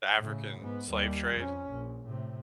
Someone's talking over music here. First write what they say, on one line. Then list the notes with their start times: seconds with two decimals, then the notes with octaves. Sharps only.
the African slave trade,
0.17 A2 C#3
0.59 G#2 B3
0.90 D#2 G3
1.36 F2 C#4
1.70 A#1
2.06 A2 C3